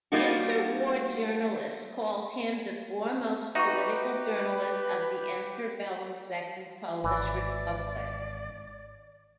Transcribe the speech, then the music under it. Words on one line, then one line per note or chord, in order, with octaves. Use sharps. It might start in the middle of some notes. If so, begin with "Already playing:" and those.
Interwar journalist called him the foremost political journalist of the interbellum Second Polish Republic.
G3 A#3 D#4 F4 F#4
D#4 F#4 G4 B4 E5 C#6
G#1 E3 D5